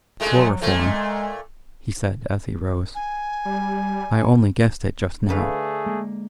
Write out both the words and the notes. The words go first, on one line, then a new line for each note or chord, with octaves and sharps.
"Chloroform," he said as he rose; "I only guessed it just now."
A#2 G#3 A3
F#3
A#2 F3 A3
G#3
G#5
G3
D3 A3 G#4 B4 F5
G#3 A#3